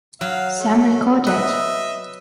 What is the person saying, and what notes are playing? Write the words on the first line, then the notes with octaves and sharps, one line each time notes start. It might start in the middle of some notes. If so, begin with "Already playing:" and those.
Some record it.
F#3 F5
A3
B4 D#5 E5